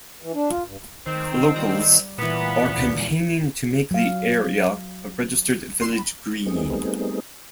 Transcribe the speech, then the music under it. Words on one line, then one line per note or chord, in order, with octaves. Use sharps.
Locals are campaigning to make the area a registered village green.
E3
D4
F4
G2
D#3 C4
G3 F#5 A#5
A#2 E3 B3 C5
F#3 F5
G3 A3 B3 C4 D#4 G#4